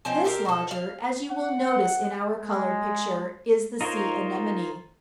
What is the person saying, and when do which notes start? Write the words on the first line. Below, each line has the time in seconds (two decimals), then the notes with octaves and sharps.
This lodger, as you will notice in our coloured picture, is the sea anemone.
0.05 F3 C4 C#4 D#4
0.24 G3 C4 G4 A#4
0.45 B2 A4
0.71 F5
1.30 F#5
2.37 G#3
3.81 D#4 F4 A#4 C5 C#5